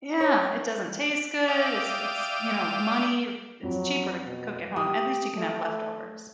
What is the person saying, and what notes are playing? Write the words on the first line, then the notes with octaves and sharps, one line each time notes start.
Yeah, it doesn't taste good. It's it's, you know, money, it's cheaper to cook at home, at least you can have leftovers,
C#5
D5 E5 F5 G5 D6 D#6
F2 F#3
B2
G4 D#6
A3